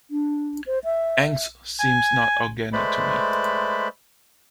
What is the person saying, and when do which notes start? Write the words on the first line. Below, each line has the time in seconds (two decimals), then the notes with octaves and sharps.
"Angst" seems not organic to me.
0.11 D4
0.66 C5
0.84 E5
1.80 G#5
2.73 G#3 A3 B4 C5 D5 B5